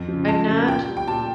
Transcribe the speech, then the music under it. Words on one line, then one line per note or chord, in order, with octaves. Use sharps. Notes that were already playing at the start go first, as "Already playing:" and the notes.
I'm not
Already playing: F2
C#3 F3
F2 A5
C#3 F3
A#2 G5
G3
G5
A#2 A5